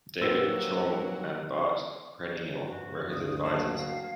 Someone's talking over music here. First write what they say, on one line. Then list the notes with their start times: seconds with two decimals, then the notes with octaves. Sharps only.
David Chaum and Bart Preneel were his advisors.
0.21 F#3 A#3 C4 D#4 G4 B4 C5 E6
2.68 G2 F#4
3.09 D2 D#6
3.45 F#3 A#3 A5
3.75 F5